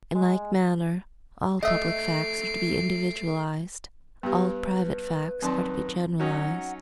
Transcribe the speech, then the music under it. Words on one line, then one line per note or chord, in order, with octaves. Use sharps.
In like manner all public facts are to be individualized, all private facts are to be generalized.
G#3
A3 D#5 E5 C7 D7
G2 B3 G4 B4
F#2 D#3 C4 D5 A5 C6
F#3 C#4 D#4 F#4 F#5